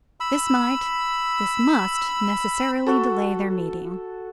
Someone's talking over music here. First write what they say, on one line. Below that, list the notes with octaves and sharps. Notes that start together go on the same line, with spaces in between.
This might, this must, necessarily delay their meeting.
B5 E6
F#4 A4